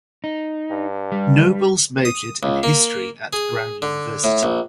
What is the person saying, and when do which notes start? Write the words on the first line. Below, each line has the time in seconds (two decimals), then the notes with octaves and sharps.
Nobles majored in history at Brown University.
0.24 D#4
0.71 G2
1.12 G3
2.05 D#6
2.43 C#2
2.63 A#3
3.33 G#4
3.82 D3
4.24 A2
4.43 A#1